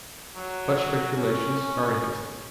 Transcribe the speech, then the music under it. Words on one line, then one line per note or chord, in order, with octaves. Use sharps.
Such speculations are interesting.
F#3
C#4